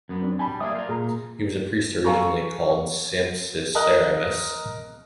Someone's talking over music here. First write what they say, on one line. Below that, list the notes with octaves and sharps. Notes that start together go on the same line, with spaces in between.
He was a Priest originally called Sampsiceramus.
F#2 B3
C4 D4
G3 G#5 A5 B5
G3 A#3 G#4 D5 E5 D#6
F4 A#4
A#2 G#4 A#5
A4 F5 G#5 A#5 C#6
A#4 D#5 F#6